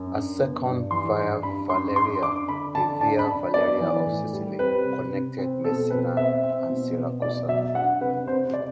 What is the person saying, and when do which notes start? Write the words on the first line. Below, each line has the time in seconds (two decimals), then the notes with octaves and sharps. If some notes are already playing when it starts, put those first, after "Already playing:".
A second Via Valeria, the Via Valeria of Sicily, connected Messina and Siracusa.
Already playing: F#2
0.12 D4
0.38 B3
0.65 G2
0.91 E3 C6
1.18 G2
1.43 D4 B5
1.70 F#2 C6
1.96 D4 C6
2.22 D4 D6
2.48 D3 B5
2.75 D3 A5
3.01 D4 A5
3.19 B5
3.27 D4
3.54 B3 D5
3.80 E3
4.06 A2
4.33 G3
4.59 C4 B4
4.85 C3
5.12 C3
5.38 C4
5.64 B2 A4
5.90 C4 B4
6.17 C4 E5
6.44 C4
6.70 B2
6.96 B3
7.22 B2 D5
7.48 F#3 E5
7.75 D4 F#5
8.01 C3 B4
8.27 C3 C5
8.54 C3 D5